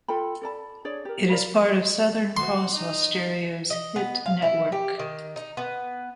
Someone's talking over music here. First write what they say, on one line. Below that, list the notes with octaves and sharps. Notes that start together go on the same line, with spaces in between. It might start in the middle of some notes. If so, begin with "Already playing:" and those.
It is part of Southern Cross Austereo's Hit Network.
F4 A4 G5 B5
A4 D5 A5 B5
D4 G#4 C#5 D5
G4 A#4
A#4 D5 F5 B5
F#4 C6
D#4
D#5
B3
F5
E4
G4
D#3
D#4
B3